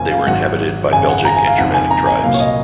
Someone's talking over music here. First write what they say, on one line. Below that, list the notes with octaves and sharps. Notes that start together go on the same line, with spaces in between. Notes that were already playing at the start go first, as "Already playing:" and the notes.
They were inhabited by Belgic and Germanic tribes.
Already playing: F#1 F#2 F3 A#3 C#4 G#5
F5
G#1 G#2 F#3 F#5
G#1 F#2 C#3 G#5
F#5
A#5
G#5
F5
F#1 F2 D#3 F#5
G#5
A#5
G#5
C2 A#2 F#3 A#3 F5
C#5
D#5